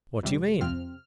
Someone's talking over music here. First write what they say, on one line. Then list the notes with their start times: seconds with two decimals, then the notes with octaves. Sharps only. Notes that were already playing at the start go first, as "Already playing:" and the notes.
"What do you mean?"
0.23 F2 C3 G3
0.61 F2 C3 F3 C4 F6